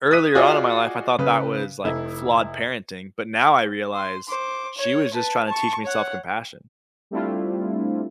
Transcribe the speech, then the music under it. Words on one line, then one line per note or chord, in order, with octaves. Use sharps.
earlier on in my life, I thought that was, like, flawed parenting, but now I realize she was just trying to teach me self-compassion.
D#6 F#6 B6 D#7
F4 F#4 G#4 D5 D#5 F#5
C#3 B4
F1 E4
C6
C5 D6
C#5
B4 A5
A5 C#6
C#5 F#5
G3 A3 C4 D4 E4 F4